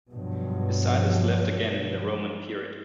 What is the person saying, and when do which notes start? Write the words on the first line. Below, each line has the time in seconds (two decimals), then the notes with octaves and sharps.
The site is left again in the Roman period.
0.12 G2 B2 F3 F#3